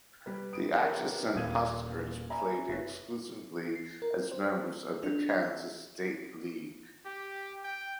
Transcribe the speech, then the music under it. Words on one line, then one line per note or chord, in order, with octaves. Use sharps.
The Atchison Huskers played exclusively as members of the Kansas State League.
G3 B4
D#6 D7
G4 A#4 B4 C#5 E5 A5
D#1 A4 F5 D#6 G#6 D#7
D5 E5 G#5 A#5 B5
F#1 E4 B4 C#5 B6
C7
A#4
C5
D4
E5
G4
G5